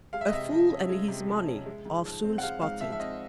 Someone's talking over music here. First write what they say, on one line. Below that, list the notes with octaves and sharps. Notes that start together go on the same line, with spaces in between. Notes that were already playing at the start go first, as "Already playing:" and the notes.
A fool and his money are soon spotted.
G#3 F5
E5
D#5
C3 E5
F3
C#4
G#3
C3
F3
C#4
G#3
G#2
F3
C4
F#5
G#3 F5
G#2 F5
F3 E5
E5
C4 D#5